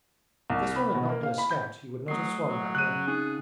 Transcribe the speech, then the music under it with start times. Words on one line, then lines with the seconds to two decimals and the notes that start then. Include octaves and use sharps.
If this one had not been a scout he would not have swum that way.
0.50 C2
0.76 B5
0.94 B2
1.09 A#3
1.23 F5
1.38 B5
1.51 G6
2.08 F#3 A3 D#6 C7
2.47 F#3
2.75 C#3 F#6 D#7
3.07 C4 D#4 G#4